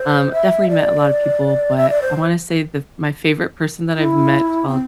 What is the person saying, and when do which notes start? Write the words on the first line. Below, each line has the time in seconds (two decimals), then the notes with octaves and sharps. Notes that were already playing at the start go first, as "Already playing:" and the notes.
um, definitely met a lot of people. But I wanna say the my favorite person that I've met while
Already playing: C5
0.32 E5
0.69 D5
1.77 E5
1.90 D5
2.02 C5
3.95 E4
4.68 C4